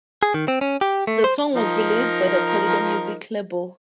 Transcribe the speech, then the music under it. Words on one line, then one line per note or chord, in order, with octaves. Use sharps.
The song was released by the Polydor music label.
G#4
D#3
C4
C#4
G4
A3
C5
F3 D#4 A#4